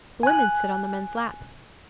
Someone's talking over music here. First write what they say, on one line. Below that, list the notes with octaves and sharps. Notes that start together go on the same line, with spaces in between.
The women sit on the men's laps.
G#5 F#6